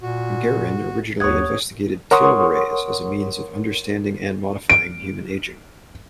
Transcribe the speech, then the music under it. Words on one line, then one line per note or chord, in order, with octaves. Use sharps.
Geron originally investigated telomerase as a means of understanding and modifying human aging.
A#2 F#4
D#2 C#5 F#5 D#6 G#6
A#4 C#5 F#5 C6 C#6 D#6
D7